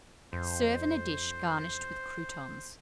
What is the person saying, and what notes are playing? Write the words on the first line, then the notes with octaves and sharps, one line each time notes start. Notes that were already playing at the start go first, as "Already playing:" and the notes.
Serve in a dish garnished with croutons.
F2 C5